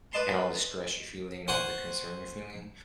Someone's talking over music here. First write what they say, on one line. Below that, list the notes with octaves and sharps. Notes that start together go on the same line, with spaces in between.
and all the stress you're feeling and all the concern you're feeling,
B4 D5 D#5 A5 C6
C5 F#5 G#5 C#6